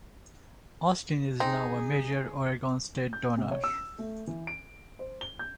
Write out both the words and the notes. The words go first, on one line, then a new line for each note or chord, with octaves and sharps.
Austin is now a major Oregon State donor.
C4 D#4 G#4
G6
C3
C#5
E6
A3
E3
D7
C5
G7
G6